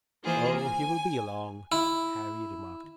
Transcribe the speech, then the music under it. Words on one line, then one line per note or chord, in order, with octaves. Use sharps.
"Oh, he will be along," Harry remarked.
E3 A#3 F4 G#4 C5
G#5
E4